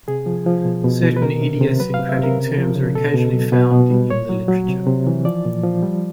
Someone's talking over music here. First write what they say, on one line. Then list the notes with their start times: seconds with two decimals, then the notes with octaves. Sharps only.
Certain idiosyncratic terms are occasionally found in the literature.
0.08 C3 G#4
0.26 F3
0.46 F3
0.65 B2
0.84 B2
1.03 B2
1.17 B4
1.22 D#3 A#4
1.42 C3
1.61 C3
1.80 F#3 B4
1.94 F5
1.99 C3
2.09 E5
2.19 C3 A#4
2.38 C#3
2.57 F3
2.75 C#3
2.95 B2 A4
3.14 B2
3.33 F#3
3.52 B2 B4
3.72 B2
3.91 G3
4.10 A#2 C#5
4.29 F#3
4.48 F#3
4.68 C3
4.87 C3
5.07 E3
5.25 F3 D5
5.45 A#2
5.63 F3
5.83 G3